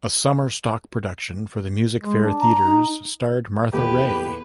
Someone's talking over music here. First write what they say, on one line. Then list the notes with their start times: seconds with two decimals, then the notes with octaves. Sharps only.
A summer stock production for the Music Fair theatres starred Martha Raye.
2.01 G#3
2.24 D4
2.40 A#5
2.66 D#4
3.73 D#1 E2 G4 B4